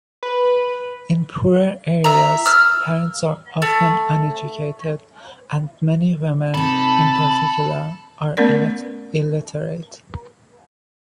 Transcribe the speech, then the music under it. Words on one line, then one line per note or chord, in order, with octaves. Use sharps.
In poorer areas, parents are often uneducated, and many women, in particular, are illiterate.
B4
E5 A#5
E6 F6
A3
C3 D#4 A4 A5 B5
A3 B3 C#4 A#4 D5